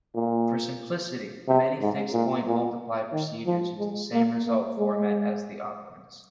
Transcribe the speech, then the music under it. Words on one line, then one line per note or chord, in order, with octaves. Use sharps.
For simplicity, many fixed-point multiply procedures use the same result format as the operands.
A#2
C3
G#2
A#2
A#2
D#3
F3
G#3
A#3
A#3
G#3